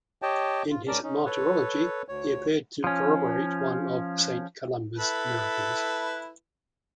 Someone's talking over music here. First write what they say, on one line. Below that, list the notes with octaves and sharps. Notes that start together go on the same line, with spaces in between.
In his martyrology, he appeared to corroborate one of Saint Columba's miracles.
G4 C#5 D#5 G5 A5
F4
G#2 C#4 A#4 D5 A5
C#4 D#4
A4 B4 C#5
D2 C#5
F3 C#4
E4 A4 B4